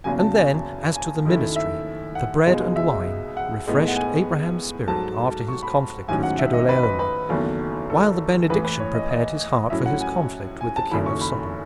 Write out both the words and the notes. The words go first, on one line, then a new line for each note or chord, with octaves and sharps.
And then as to the ministry,--the "bread and wine" refreshed Abraham's spirit, after his conflict with Chedorlaomer; while the benediction prepared his heart for his conflict with the king of Sodom.
F#1 E2 C#3 F#3 G#5
A5
G#5
G#5
F#2 D#3 A3 E4
E5
F#5
C#2 B2 G#3 D#4
E5
F#5
A2 G#3 B3 D#4
F#5
G#5
G#2 F#3 A3 A5
C#6
B5
A1 G#2 D#3 F#3 C#4 G#5
F#5
E5
D#5
B4
B4
B4
F#1 E2 D#3 F#3 A3
A4
A1 A2 E3 B4
B4
C#5
D#5
D#5
A2 F#3 C#4 E4 E5
F#5
G#5
G#5
A5
F#1 F#2 D#3 A3 E4 B5
C#6
B5